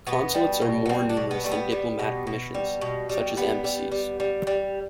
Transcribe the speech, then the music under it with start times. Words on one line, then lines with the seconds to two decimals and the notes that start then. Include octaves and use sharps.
Consulates are more numerous than diplomatic missions, such as embassies.
0.07 B2 B3
0.35 G3
0.62 B2
0.86 B3
0.89 G3 C4
1.09 D4
1.17 B2
1.31 B3
1.44 G3 A3
1.51 B3
1.72 G3
1.99 B2
2.27 B2
2.54 G3
2.81 B2
3.09 G3
3.37 G3 B3
3.64 G3
3.92 G3
4.20 G3
4.47 G3